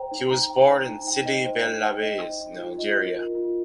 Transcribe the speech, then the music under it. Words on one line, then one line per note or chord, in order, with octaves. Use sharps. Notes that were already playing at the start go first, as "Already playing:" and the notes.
He was born in Sidi bel Abbes in Algeria.
Already playing: C5 G5 A#5
D#4
A#5
G5
C5
D#4
G5
D#5
C5
D#4
G5
D#5
C5
D#4
F4
D#5
A#4
F4
F4